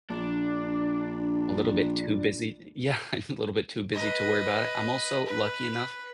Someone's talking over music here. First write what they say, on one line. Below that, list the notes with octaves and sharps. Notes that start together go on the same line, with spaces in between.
A little bit too busy yeah, a little bit too busy to worry about it. I'm also lucky enough
A#1 D4
B4 D#5
B4